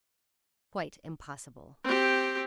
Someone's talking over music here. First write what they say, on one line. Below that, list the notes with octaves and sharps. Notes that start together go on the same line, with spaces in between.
Quite impossible!
C4 G4